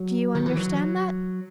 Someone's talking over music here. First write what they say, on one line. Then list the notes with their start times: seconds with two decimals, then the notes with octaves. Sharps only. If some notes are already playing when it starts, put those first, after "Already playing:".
Do you understand that?
Already playing: F#3
0.35 D#3
0.46 E3
0.57 F#3